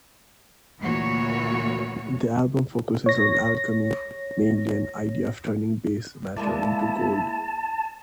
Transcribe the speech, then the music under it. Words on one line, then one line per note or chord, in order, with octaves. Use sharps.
The album focuses on alchemy, mainly an idea of turning base matter into gold.
D2 A#2 E3 A#3 F#4 C#5
C#5 A#6
G#3 A#3 E4 D5 A5